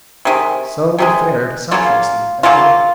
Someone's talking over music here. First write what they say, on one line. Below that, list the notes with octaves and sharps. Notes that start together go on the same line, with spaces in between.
So we fared sumptuously every day.
C3 D#3 G#3
C3 D#3 G#3
C#3 F#3 A#3 F4
C#3 F#3 A#3 F4